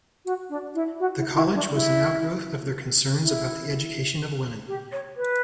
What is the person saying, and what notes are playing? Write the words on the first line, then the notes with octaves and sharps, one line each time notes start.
The college was an outgrowth of their concerns about the education of women.
F#4
D4
E4
F#4
E4
E4
D4
E4
E4
G4
C#5
B4